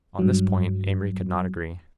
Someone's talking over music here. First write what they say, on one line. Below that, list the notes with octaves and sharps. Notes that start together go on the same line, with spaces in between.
On this point Amory could not agree.
G2 F#3